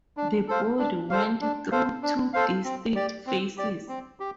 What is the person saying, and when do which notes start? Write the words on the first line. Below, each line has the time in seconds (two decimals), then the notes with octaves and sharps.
The body went through two distinct phases.
0.17 D4
0.48 A4 C5 F5
0.79 D4
1.10 A4 C5 F5
1.41 D4
1.71 A4 C5 F5
2.03 D4
2.33 A4 C5 F5
2.64 C4
2.95 G4 D5
3.27 C4
3.57 G4 D5
3.88 C4
4.20 G4